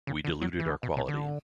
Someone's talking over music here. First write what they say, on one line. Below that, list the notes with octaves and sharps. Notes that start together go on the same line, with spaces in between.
We diluted our quality.
C#3
D3
F#3
E3
D3
B2
B2
D3